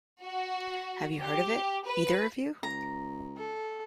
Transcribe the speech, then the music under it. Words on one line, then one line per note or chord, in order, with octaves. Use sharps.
Have you heard of it, either of you?
F#4
G4
B4
C#2 A#5
A4